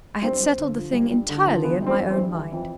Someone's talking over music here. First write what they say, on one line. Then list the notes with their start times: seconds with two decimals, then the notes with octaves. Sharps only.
I had settled the thing entirely in my own mind.'
0.22 G2 C4
0.40 G2
0.58 D3
0.75 F3
0.92 G2
1.11 G2
1.29 D3
1.46 F3
1.63 E3 B3
1.82 G2 C4
1.99 E3
2.10 C4
2.16 G2
2.34 E3
2.52 F2